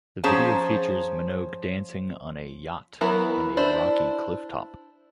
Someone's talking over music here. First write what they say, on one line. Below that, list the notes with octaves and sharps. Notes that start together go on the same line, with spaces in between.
The video features Minogue dancing on a yacht and a rocky cliff top.
F3 C#4 G#4 C5 A5 A#5
E3 F#3 B3 E4 A#4
D4 E4 C5